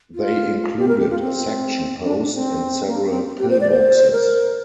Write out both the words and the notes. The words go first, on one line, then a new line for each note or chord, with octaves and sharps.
They included a section post and several pillboxes.
F4
G4
A#4
G4
F4
C4
D4
D4
C4
A#3
C4
G4
C5
D5
C5
A#4